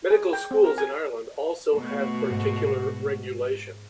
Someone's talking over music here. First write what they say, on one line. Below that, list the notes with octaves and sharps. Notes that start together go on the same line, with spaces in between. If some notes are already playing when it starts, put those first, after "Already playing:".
Medical schools in Ireland also have particular regulation.
G#4
G5
C4
A#4
G#5
B2 A3 F#4
G#2